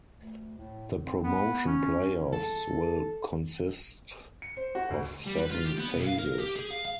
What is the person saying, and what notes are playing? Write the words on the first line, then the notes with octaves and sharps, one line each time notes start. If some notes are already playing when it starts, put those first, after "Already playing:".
The Promotion Play–offs will consist of seven phases.
D2
A2
C4
B3
C#4
A4
C#7
C5
F#4
D2
G3
B4
F4
G4
B3
B1
F5
A#4
G4
G#4
F5
F5